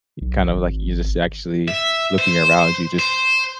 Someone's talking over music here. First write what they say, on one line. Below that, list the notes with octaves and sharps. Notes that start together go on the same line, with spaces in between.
you kind of, like you just actually looking around, you just,
B1
G#1
E5
C5
C5